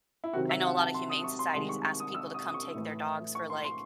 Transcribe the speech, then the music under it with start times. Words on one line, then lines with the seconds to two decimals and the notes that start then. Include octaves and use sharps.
I know a lotta humane societies ask people to come take their dogs for, like,
0.24 E4
0.33 C3 D#3 F#3 C4 F#4
0.49 E5
0.64 F#5
0.80 A5
0.94 C6
1.09 D#6
1.24 C#6
1.39 C6
1.54 C2 C3 D#3 G#3 C6
1.69 C#6
1.85 C#6
2.00 D#6
2.15 E6
2.34 D#6
2.48 D#6
2.54 C#6
2.74 A2 E3 A3
3.35 C#6
3.50 C6
3.64 C6